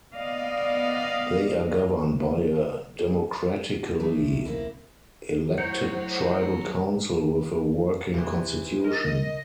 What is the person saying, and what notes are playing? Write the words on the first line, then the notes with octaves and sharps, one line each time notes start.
They are governed by a democratically elected tribal council, with a working constitution.
B3 D5 D#5 F5
F#3 G#3 A3 D4
D#1 B1 C#3
A#3 C4 E4
A2 F#3 C5 F#5
E2 C3 E3
A#4 D#5